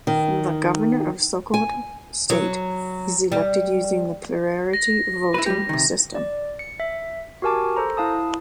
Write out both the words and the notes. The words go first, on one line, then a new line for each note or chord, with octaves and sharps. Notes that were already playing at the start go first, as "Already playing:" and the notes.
The Governor of Sokoto State is elected using the plurality voting system.
D#3
G#5
F#3
G3
A#6
E4 B4
G3 G4
C3 D#3
D5
C#7
E5
F#4 G4 A#4 G#5 A5 D6
A4 C5 A#5
E4 F5 A5 D#6